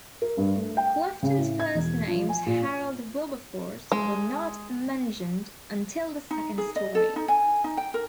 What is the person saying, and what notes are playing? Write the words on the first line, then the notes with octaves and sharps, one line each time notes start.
Clifton's first names Harold Wilberforce were not mentioned until the second story.
A#4
G2
A3
G5
C#3
A2
G#6
E1
F3
G#5
A#2
G#3
D#4
G#4
D#5
A4
D#4
G#5
D#4
G5
A#4